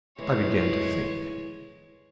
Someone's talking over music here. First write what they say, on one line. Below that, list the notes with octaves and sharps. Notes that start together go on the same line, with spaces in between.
I began to think.
E3 G#3 B3 C#5